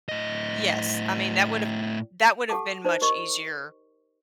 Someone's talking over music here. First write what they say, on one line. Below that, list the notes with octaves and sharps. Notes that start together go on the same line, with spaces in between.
yes. I mean, that would have that would have been much easier
A2 D#5
G4 A4 F#5 A5 D6
D#4 C5 D5
G4 A#4 D#5 C#6